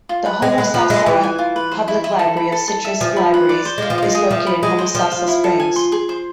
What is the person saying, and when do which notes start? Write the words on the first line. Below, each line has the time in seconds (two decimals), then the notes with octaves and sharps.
The Homosassa Public Library of Citrus Libraries is located in Homosassa Springs.
0.09 F4
0.26 B4
0.42 G#3 G#5
0.58 G#3 B4
0.74 F3 B4
0.90 G#3 E5
1.06 E3 E5
1.23 G#5
1.39 F4
1.56 B4
1.71 C5
1.88 E4
2.04 E4
2.19 A4
2.37 B5
2.52 A4
2.68 A4
2.85 E5
3.01 F3 G#5
3.17 B5
3.34 B4
3.49 D5
3.65 C5
3.78 G#3 F5
3.90 F3
3.98 G#3 F4
4.15 G#4
4.31 F3 E5
4.47 B5
4.62 G#3 G#4
4.79 C5
4.95 F3 C5
5.12 F5
5.28 E4
5.44 A4
5.60 G#5
5.76 C6
5.92 G#4
6.09 C5